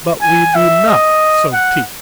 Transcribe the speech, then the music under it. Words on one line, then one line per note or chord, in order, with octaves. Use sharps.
But we do not so teach.
G#5
E5
D#5
F#5